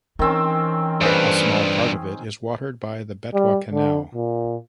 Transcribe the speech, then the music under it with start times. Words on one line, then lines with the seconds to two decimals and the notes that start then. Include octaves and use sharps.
A small part of it is watered by the Betwa Canal.
0.19 D#3 E3 C4 C#4
1.01 G2 A#2 G#4 B4 C5 F5
3.34 G3
3.72 D3
4.15 A#2